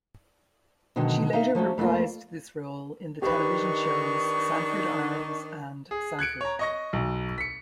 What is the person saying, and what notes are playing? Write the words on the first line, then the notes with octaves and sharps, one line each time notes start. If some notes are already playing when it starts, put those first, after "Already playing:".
She later reprised this role in the television shows "Sanford Arms" and "Sanford".
B2 D3 D#3 F#3 G#3
D#4 E5 F5
F3 F#3 A3 C#4
F2 A3 A#3 F4
D#3 D4 D#4 G4 B4 C#6
G#4
F#6 G#6 C#7 D7
C#5 A#5
D#5 C#6 A#6
B1
B6 C#7